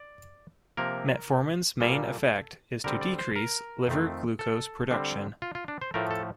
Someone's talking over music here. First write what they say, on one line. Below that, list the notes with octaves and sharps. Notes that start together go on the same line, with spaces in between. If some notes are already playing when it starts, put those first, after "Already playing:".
Metformin's main effect is to decrease liver glucose production.
Already playing: D5
C3 F3 A#3 A#4
A#2 G3 A#3 A4
D3 G3 C4 A#4
D5
C5
A#4
F2 D#3 A3 C4
A4
D3 G3 C4
F4
F4
D4
C5
A2 F3 A3 A#4
A4